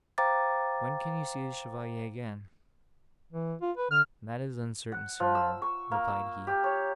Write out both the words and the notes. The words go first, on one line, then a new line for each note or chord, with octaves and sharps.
When can you see the Chevalier again?' 'That is uncertain, Signora,' replied he.
C5 F5 G5 A#5 D6 A6
E3
F4
B4
D3 F6
F#5
F3
E6
C#6
A#3
E6
G4
C#5